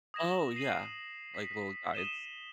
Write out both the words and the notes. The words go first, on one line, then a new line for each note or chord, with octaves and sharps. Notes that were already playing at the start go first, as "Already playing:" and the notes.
Oh, yeah, like little guides.
D#6 G#6 A#6 E7
C7 D#7 F#7
B6
D#6 D#7 E7 G7